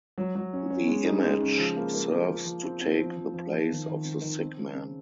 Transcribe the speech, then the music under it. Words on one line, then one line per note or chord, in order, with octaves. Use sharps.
The image serves to take the place of the sick man.
F#3
F#3
C#4
C#4
G#3
D#4
G#3
C#3
F3
A#3
A#3
F3
F3
F3
C4
C4
F3
F3
F3
F3
D#3
D#3
C4
D#3
C4
C#3
C4